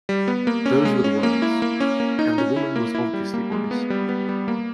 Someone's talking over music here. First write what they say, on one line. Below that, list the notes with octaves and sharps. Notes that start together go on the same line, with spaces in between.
Those were the words, and the woman was obviously honest.
G3
B3
A#3
C#4
G#3
C#4
A#3
E4
A#3
C#4
A#3
D#4
C#4
E4
A#3
E4
G3
A#3
G#3
B3
G3
B3
G3
A#3